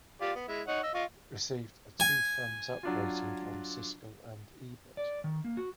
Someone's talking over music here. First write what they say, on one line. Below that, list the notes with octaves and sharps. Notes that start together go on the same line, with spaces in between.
It received a "two thumbs up" rating from Siskel and Ebert.
F4 G4 D5
B3
G#3 E4
D#4 C#5 F#5
D#5 E6
F4 D#5 C#6
G#5
F#3 D4 F4
D5
D#3
A#3
F#4